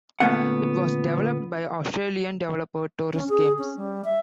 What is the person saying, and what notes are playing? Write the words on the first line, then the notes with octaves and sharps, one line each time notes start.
It was developed by Australian developer Torus Games.
D2 A#2 A3 B3 C#4 F#5
C#4
G#4
C#4
G3
E5